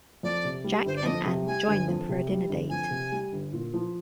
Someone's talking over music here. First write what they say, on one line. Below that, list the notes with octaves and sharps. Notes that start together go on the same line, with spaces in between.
Jack and Anne join them for a dinner date.
F2 D5
C3
G3
G1 C5
D5
F2 D#5
C3
G3 G#5
G1
F2
C3
G3
G1
F2 G#5
C3
G3
G1
A#2
F3